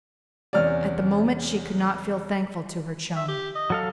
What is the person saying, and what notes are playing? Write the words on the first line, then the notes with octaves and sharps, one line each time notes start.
At the moment she could not feel thankful to her chum.
E2 C3 C#4 D5 F6
E5
G4
D#5
F#3 A4 F5